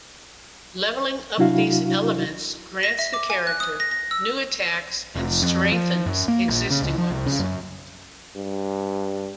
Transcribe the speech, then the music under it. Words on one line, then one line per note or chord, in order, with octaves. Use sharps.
Leveling up these elements grants the character new attacks and strengthens existing ones.
C3 F#3 D4 E4 F#4 F5
A#6
E5
D6
G#5
F#6
D#6
A#6
A#6
E6
F1
F2
F3
F#2
A#3
A#1
C#3
C#2
F3
C2
C#3
F#2
G2